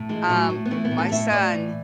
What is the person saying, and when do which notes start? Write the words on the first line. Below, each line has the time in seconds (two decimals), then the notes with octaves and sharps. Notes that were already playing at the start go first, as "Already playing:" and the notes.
um, my son,
Already playing: A2
0.09 E3 G#3
0.29 A2 F#3
0.50 A2
0.65 B3
0.71 E3 A3
0.85 B3
0.91 A2
0.98 A4
1.12 A2 E5
1.33 A2 D5
1.53 E3